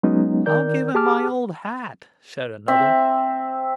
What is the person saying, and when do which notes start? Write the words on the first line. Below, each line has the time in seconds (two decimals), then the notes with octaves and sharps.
"I'll give him my old hat," said another.
0.03 F#3 G#3 B3 C#4 D#4
0.46 D#3 A#4 D5 G6
0.95 G4 G#4 A5 D6 F6
2.68 C4 E5